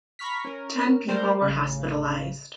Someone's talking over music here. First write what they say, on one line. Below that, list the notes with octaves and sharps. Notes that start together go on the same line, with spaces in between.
Ten people were hospitalised.
A#5 B5 C#6 F6 B6
C#4 A#4
G3 A3 G4 A#4 C5 D5
A1 C#3